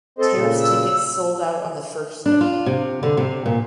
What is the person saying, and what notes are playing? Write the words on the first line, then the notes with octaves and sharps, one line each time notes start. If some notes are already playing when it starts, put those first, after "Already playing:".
Terrace tickets sold out on the first day.
C4 A4 C5 D#5
A#2 C#3
E6
D4
F4
C3
D3
C3
A#2